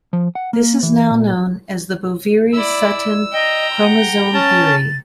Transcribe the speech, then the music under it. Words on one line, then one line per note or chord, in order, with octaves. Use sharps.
This is now known as the Boveri-Sutton chromosome theory.
F3
F#5
A#3
E3
A#2
E4 D5 E6
D#5 G5 A#5
F#5
C#4 A5 A6